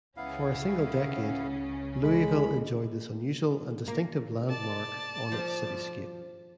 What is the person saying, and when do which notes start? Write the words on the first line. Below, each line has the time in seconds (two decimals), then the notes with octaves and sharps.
For a single decade Louisville enjoyed this unusual and distinctive landmark on its cityscape.
0.17 C#2 C#3 B3 C#4 E4 F5
2.03 G#3 B5
3.88 A#3
4.48 D5 A5
5.32 F3